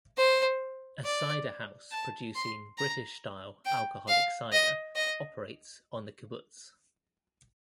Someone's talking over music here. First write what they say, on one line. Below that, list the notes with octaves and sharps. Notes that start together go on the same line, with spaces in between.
A cider house producing British-style alcoholic cider operates on the kibbutz.
C5
D5
A5
C6
A#5
G5
F5
D#5
D#5